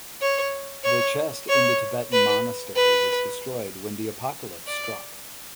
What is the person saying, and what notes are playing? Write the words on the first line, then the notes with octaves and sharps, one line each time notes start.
The chest in the Tibetan monastery was destroyed when the apocalypse struck.
C#5
C#5
C#5
B4
B4
D5